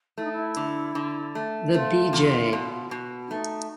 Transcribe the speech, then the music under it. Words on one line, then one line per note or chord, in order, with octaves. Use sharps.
The B. J.
A3 E4
D#4
E4
D3
D3
A3
A3 F4
E2
B2
B2
D4
A3 D#4